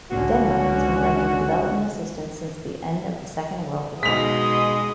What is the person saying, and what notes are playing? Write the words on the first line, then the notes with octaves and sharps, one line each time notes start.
Denmark has been granting development assistance since the end of the Second World War.
C#2 D3 C#4 F#4
B2 G#3 D#4 D#6 B6 F7